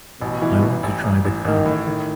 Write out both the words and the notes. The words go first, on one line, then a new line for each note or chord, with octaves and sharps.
I want to try the car.
A1 B2
E3
A1
A1
A1
A1
A1 D#3
A2
D#3